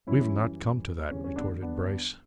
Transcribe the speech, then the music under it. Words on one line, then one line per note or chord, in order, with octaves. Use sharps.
"We've not come to that," retorted Bryce.
F#2 E3 G3 C#4 E4
E2 D3 G3 C#4
C#4
B3 D4
B3 D4